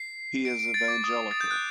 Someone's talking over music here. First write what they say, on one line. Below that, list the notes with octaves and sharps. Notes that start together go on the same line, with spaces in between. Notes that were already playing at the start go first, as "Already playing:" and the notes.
He is evangelical.
Already playing: C7
D7
D7
A6
D6
D#6
A6
G6
F#6